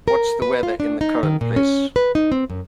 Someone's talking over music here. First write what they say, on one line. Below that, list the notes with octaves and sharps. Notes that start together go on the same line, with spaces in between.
What's the weather in the current place?
A#4
B4
F4
D4
D#4
D#3
A#2
C#4
B4
D#4
C4
F#2